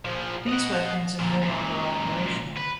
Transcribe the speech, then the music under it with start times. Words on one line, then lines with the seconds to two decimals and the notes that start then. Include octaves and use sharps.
These weapons are no longer operational.
0.05 A#2 F3
0.49 D#5 F#5
1.20 A#2 D3
1.42 C#2 A#2
2.57 B4